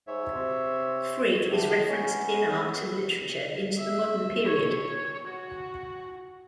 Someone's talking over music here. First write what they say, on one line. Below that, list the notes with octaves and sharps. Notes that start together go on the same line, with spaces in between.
Frigg is referenced in art and literature into the modern period.
G#2 C#5 E5
C3
A2 D3 G4
B3 C#4
E5
C#5
F#4